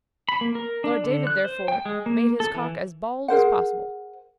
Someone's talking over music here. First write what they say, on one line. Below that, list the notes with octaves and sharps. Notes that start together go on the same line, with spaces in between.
Lord David, therefore, made his cock as bald as possible.
B5
A#3
A#4
D4
D3
F#6
C5
G5
G#3
A#3
A4
E3
G#4 A#4 C5 F#5